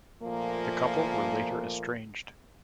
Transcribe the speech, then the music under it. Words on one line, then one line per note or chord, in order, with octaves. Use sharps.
The couple were later estranged.
A#2 F3 A3 A#3